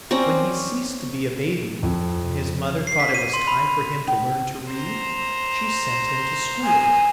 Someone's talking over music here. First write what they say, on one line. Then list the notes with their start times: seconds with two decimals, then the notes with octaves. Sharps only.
When he ceased to be a baby, and his mother thought it was time for him to learn to read, she sent him to school.
0.11 C4 C#4 D5 A#5
1.83 F2
2.87 C7
3.00 B6
3.14 D#7
3.33 C6
3.47 B5
4.08 C#4
4.68 C5 A#5
6.64 G#5